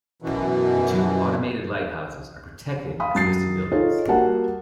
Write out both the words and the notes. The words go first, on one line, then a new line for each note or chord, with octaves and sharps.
The two automated lighthouses are protected as listed buildings.
F#2 B2 E3
F5 G5 B5 D#6
F#2 A6 C7
D#4 F4 G#4 A4 C#5
G3 A#3 F#4 F#5 A5